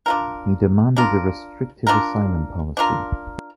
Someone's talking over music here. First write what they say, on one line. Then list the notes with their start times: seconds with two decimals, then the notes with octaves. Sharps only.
He demanded a restrictive asylum policy.
0.06 D4 F4 A#4
0.97 D4 F4 A#4
1.87 D4 F4 A#4
2.77 D4 F4 A#4